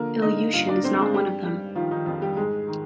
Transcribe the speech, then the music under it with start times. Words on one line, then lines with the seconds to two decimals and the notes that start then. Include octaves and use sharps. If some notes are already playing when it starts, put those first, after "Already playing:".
Ilyushin is not one of them.
Already playing: D3 F3 A#3 A#4
0.22 D3 D#4 D#5
0.53 G2 F4 F5
0.68 D4 D5
0.84 G2 C4 C5
0.99 G#3 G#4
1.14 G3 G4
1.44 G3 G4
1.75 D#3 F3 F4
1.91 D#3 D#4
2.06 F2 F3 F4
2.21 G3 G4
2.36 G#2 G#3 G#4
2.68 D#3